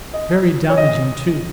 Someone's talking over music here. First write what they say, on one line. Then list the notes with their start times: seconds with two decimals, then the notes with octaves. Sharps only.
Very damaging, too!
0.14 D#5
0.70 C#5
0.77 D#5